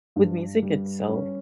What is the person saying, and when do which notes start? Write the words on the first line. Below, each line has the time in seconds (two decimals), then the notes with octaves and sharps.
with music itself,
0.16 G2
0.62 G3
1.09 C#4